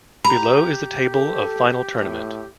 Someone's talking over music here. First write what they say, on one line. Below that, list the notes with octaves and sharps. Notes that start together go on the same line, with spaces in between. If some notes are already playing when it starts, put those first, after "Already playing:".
Below is the table of Final tournament.
G4 A#5 B5
A4
A2